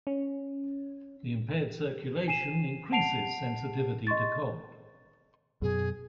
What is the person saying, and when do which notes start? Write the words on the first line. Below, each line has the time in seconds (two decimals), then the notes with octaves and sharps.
The impaired circulation increases sensitivity to cold.
0.07 C#4
2.28 G#5 C7 D#7 E7
2.92 F#5 A5 C7 D7 F7
4.07 D#5 C6 C#6 A6
5.62 F#2 B2 G#4